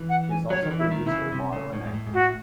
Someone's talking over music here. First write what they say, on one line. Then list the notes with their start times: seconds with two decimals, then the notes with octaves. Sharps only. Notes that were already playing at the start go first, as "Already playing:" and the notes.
She is also a producer, model and actress.
Already playing: E3
0.09 F#5
0.30 G#5
0.50 F#3 C#5
0.63 D#3
0.71 E3
0.77 E4
0.91 D#3
1.05 C3 E4
1.12 C#3
1.32 C3
1.53 C#3
1.73 A2
1.86 G#2
1.94 A2
2.07 G#2
2.14 A2 F#4